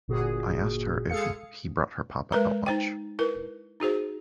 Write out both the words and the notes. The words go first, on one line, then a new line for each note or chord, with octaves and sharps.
I asked her if he brought her papa out much.
G1 A#2 F#4 G#4
G#3 G#4 A4 F5 C#7
G#3 A#4 B4 A#5
D#4 C5 G5
E4 A#4 B4
D#4 F#4 G#4 C5